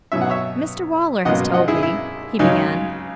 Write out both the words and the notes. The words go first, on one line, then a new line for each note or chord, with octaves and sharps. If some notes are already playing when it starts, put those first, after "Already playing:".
'Mr Waller has told me--' he began.
B2 F#3 C#4 E5
F#5
C#5 E5
C#2 B2 F#3 A#3 D#5 F#5
D#5 F#5
E4 G#4
E4
C#2 C#3 F#3 C#4 D#4